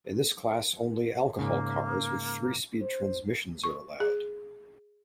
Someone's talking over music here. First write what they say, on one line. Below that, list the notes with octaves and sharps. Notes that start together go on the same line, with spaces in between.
In this class only alcohol cars with three-speed transmissions are allowed.
G#2 C#3 A#3
C5
C#6
G#4